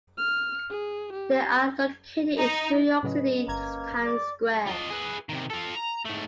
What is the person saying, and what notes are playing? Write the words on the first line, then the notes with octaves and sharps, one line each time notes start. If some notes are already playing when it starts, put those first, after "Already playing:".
They are located in New York City's Time Square.
F6
G#4
G4
D#4
A2 C#3 F#3 C#4 B4 D#5
G1 A#3 A#5 G#6
D5 D6
F4 D#5
G#4 B4
C3 D#3
F4 A4
A#5
G#2 A3